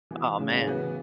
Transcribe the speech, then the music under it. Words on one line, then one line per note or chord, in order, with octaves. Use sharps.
Oh, man,
E3 B3 F#4
A2 C#3
E3 B3 F#4